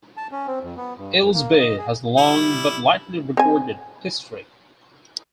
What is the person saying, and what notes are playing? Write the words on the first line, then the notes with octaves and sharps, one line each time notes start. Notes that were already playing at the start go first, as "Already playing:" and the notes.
Aylesbeare has a long, but lightly recorded, history.
A5
C#4
C4
F2
B3
G2
F#2
A#3
D#5
G#4
G3 E4
C4 G#5